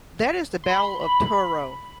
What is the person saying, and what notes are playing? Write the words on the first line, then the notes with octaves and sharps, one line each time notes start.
That is the battle of Toro.
C6
B5
B5